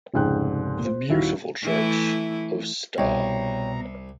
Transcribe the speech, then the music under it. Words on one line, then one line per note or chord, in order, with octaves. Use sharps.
The beautiful church of Sta.
F1 C#2 G#2 G5 F#6
C5
D#1 D#3 E4 F#4 E5 F5
E3 A3 E4
C2 B2 C#5 G5 A#5